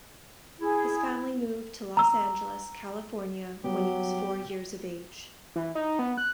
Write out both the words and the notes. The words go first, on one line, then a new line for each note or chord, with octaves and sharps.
His family moved to Los Angeles, California when he was four years of age.
E4 G#4
A#5 E6
F#3 G3 B3 G4
E3
D#4
B3
F#6